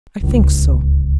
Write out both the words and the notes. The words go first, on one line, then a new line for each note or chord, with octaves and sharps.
I think so.
D1 C#2